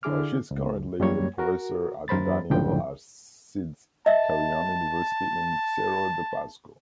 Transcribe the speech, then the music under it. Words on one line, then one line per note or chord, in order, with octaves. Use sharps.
She is currently a professor at the Daniel Alcides Carrión University in Cerro de Pasco.
D3 E4 G#4 D6 F6
C#2
F#2 G3 A#3 C#5 G#6
F#4 A#4
F#2 A#4 C5 B5 A6
C#2 F#2 A2 D3 F3 G5
D#5 E5 A5